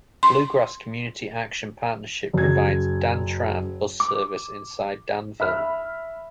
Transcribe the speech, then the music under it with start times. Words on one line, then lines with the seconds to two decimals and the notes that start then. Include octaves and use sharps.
Blue Grass Community Action Partnership provides DanTran bus service inside Danville.
0.23 C6
2.33 F#1 G#6
4.00 D6
5.40 E5 B5 F6